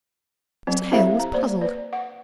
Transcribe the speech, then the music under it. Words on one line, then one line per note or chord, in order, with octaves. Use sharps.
Mr. Hale was puzzled.
F#3 C4
E4 G4 A4 C5 E5 F5
A#5
A#3 C5 D5
B4 D5
F#5